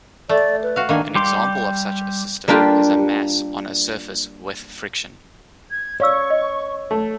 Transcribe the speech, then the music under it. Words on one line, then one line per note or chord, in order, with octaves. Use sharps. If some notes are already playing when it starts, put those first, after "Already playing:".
An example of such a system is a mass on a surface with friction.
A3 D5
B4
F#4 F5
D#3 A#3 D4 G#5
G3 G4 C6 D6
G3 A#3 D4 F4 G4
G#6
C#5 D5 F5 C#6 E6
D#5
A3